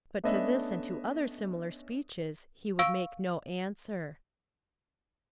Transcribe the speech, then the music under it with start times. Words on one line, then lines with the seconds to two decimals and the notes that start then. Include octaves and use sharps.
But to this and to other similar speeches he would make no answer.
0.24 A3 B3 C#4 D4 D#5 E5
2.79 F5 C#6 E6 D7